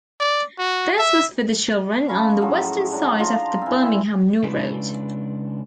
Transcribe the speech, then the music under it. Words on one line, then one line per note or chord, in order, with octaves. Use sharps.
This was for the children on the western side of the Birmingham New Road.
D5
F#4
E5
F3 C#4 B5
A2 F3 F#3 G#3
D#3 F#3 D4
F3 F4 A#5 C6
E3 C4
E4 E5
C#3 G#3 C#4 D4 E4 B4